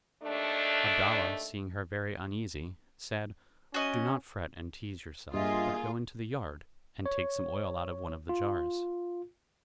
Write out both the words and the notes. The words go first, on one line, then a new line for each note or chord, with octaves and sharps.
Abdalla, seeing her very uneasy, said, "Do not fret and tease yourself, but go into the yard, and take some oil out of one of the jars."
D#2 A3 D4
C#4 F#4 D#5
G2 A#3 F4 G#4 D#5 E5 D#6
C#5
F4